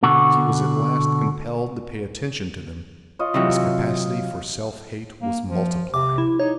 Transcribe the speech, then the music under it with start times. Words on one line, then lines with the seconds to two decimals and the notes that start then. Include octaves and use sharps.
As he was at last compelled to pay attention to them, his capacity for self-hate was multiplied.
0.03 B2 D3 F#4
3.19 F4 C#5 D#5
3.34 C3 E3 F#3
5.22 A#3
5.50 F3
5.94 C3 D6
6.18 E4
6.40 D#4 C#5